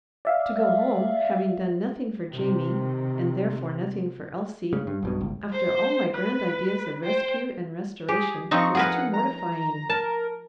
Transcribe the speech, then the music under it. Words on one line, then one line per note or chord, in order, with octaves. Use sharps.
To go home having done nothing for Jamie, and therefore nothing for Elsie, after all my grand ideas of rescue and restoration, was too mortifying.
D5 E5 F5
C3 D#3
C#3
G2
B1 G2 B2
G1 C#2
C5
B4
C5 G5
G4 G#4
F3 C4 D#4 C#6
G#4 A#4 B4 F#5
A#5
A#4 A5